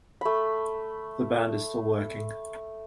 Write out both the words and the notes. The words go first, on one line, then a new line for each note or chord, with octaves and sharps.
The band is still working.
A3 B5